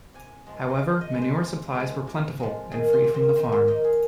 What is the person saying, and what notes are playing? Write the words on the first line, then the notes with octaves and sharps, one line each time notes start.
However, manure supplies were plentiful and free from the farm.
C3 G#5
F3 G#3
D#5
C3 F5
D#5
F3 G#3
C5
C3
G#3
F3
C3
F3 G#3
D#3 G#4
F4
A#3
C4
D#3 C4
C4
A#3 D#4
G#4